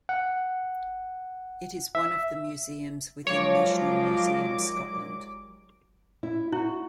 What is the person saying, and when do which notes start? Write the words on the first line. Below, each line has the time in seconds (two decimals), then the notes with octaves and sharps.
It is one of the museums within National Museums Scotland.
0.09 F#5
1.95 E5
3.27 D#2 A#2 F3 F#3 G#3 F4 C#5 D6
6.23 E4
6.52 E4 F#4